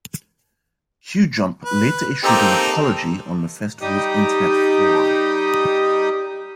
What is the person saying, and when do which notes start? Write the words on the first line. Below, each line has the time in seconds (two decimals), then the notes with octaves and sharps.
Qjump later issued an apology on the festival's Internet forum.
1.65 B4
2.24 A#3 C4 D#4 G4 A4 A#5
3.81 G3 D#4 G4 D#6